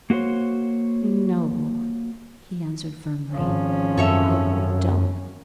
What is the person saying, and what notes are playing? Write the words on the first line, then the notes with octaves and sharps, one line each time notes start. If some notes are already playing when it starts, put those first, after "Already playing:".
"No," he answered firmly, "I don't!"
A#3 F#4 G4 C5 C#5
G#1 F3 C#4
F#2 A4 C#5 E5